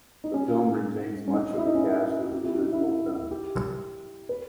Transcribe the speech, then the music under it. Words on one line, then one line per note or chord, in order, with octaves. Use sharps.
The film retains much of the cast of the original film.
D#4
C#4
C#4
D#4
E4
D#4
C#4
D#4
G4
E4
D#4
E4
G4
B4